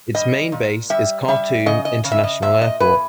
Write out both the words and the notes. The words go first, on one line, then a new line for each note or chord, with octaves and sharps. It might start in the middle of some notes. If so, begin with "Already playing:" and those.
Its main base is Khartoum International Airport.
G3 D#5
A#2
G3 E5
G3 E5
C#3 D#5
D#5
C#3
E5
D#5
A#2 E5
D#5
A#2 B4